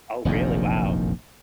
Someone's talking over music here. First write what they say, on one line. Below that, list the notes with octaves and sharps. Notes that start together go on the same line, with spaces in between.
Oh really? Wow.
F1 A#1 F#2 D#3